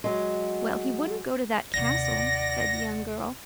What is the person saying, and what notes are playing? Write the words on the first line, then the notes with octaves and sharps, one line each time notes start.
"Well, he wouldn't go to that castle," said the young girl.
F#3 G#3
D#2 C3 D5 F#5 A#6